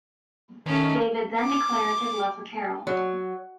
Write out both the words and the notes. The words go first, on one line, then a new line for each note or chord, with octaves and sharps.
David then declares his love for Carol.
D#3 A3 C#4
D6
F#3